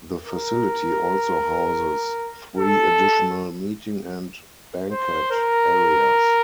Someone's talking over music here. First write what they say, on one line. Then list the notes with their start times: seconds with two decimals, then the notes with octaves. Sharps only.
The facility also houses three additional meeting and banquet areas.
0.22 A#4
2.57 A4
4.91 C5
5.31 A#4